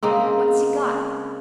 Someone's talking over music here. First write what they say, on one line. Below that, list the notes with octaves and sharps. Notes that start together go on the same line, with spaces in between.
What's he got?
C#3 G#3 A#3 C4